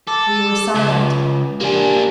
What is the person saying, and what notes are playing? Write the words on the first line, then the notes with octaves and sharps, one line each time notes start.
We were silent.
A4 D6
C#2
A#3 D4 G4 G#5